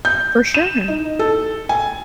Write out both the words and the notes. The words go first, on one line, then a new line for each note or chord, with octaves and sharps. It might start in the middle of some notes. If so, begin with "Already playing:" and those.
For sure.
G6
E7
D#4
A4
G#5